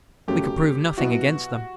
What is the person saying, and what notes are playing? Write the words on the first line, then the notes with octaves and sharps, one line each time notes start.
We could prove nothing against them.
F#2 C#3 F#3 A3 G4
B2 F#3 B3 E4 F#4